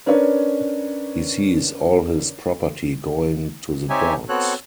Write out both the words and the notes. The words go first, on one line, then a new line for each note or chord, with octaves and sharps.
He sees all his property going to the dogs.
C#4 D4 A#4 B4 C#5
C4 D#4 G4 C#5 E5 G#5
B3 C4 F#4 A4 C#5 F#6